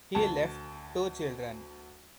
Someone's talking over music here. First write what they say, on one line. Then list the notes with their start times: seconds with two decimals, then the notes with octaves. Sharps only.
He left two children.
0.15 D2 A5